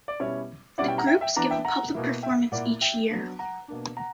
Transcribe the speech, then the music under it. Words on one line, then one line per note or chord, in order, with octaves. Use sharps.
The groups give a public performance each year.
D5
B2 G3 C#4 E4 C#5 E5
B2 G3 C#4 E4 D5 F#5
E5 G5
F#5 A#5
E5 G5
E5 G5
E3 B3 D4 F#5 A#5
E5 G5
F#5 A#5
B2 A#3 E4
E5 G5
A#2 A#3 E4 D5 F#5
E5 G5
F#3 B3 D4
F#5 A#5
B2 A#3 D4
F#5 A#5